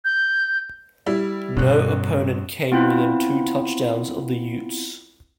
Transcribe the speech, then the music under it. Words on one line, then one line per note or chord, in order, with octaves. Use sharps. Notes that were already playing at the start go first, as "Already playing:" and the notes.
No opponent came within two touchdowns of the Utes.
G6
G3 E4
A1 G2 B2 F#6
B3 C4 E4 F4